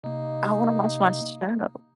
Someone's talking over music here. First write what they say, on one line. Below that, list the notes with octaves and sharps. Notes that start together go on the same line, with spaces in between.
I wanna watch my show.
C3 A#3 D#4